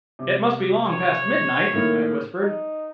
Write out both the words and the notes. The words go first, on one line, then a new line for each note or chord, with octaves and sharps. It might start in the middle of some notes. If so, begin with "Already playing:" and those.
"It must be long past midnight," I whispered.
C3
C#5
A2 D#3 A#3
D#4